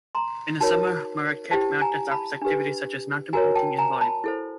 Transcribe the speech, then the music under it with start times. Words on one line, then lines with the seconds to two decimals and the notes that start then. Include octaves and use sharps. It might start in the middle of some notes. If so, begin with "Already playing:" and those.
In the summer, Marquette Mountain offers activities such as mountain biking, and volleyball.
0.15 A#5 C6
0.60 D#4 F#4 A#4 C#5 A5 B5
1.51 E4 G4 C5 G5 A5
1.81 G#5 A#5
2.12 A5 B5
2.42 D4 G4 B4
3.33 F#4 A#4 C#5 G#5 A#5
3.55 G5 A5
3.78 G#5 A#5
4.01 A5 B5
4.24 E4 A4 C5